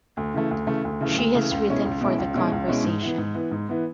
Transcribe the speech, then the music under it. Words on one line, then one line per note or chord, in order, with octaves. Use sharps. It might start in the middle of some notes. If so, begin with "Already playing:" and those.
She has written for "The Conversation".
D2
C#3 E3 A3
D2
C#3 E3 A3
D2
C#3 E3 A3
D2
C#3 E3 A3
C#2
B2 G#3 C#4 E4
C#2
B2 G#3 C#4 E4
C#2
B2 G#3 C#4 E4
C#2
B2 G#3 C#4 E4
G#2
E3 B3
G#2
E3 B3
G#2
E3 B3